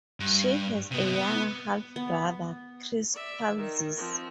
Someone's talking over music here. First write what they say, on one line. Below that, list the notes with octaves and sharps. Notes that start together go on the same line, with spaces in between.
She has a younger half-brother, Chris Palzis.
G2
C3 B3
B3
B3
D5 E5
D#3
F3 C4